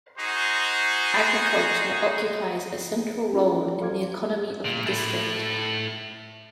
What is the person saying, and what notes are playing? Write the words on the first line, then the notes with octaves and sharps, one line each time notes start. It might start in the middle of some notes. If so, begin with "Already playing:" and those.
Agriculture occupies a central role in the economy of the district.
D#4 F#4 G#4 C5
C#4 F4
A4 C5 D5 F5 D6 G#6
A#2
A3 E4